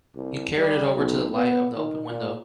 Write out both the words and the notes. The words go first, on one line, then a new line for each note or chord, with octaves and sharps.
He carried it over to the light of the open window.
C2
G3
B1
B3
D#3
A#2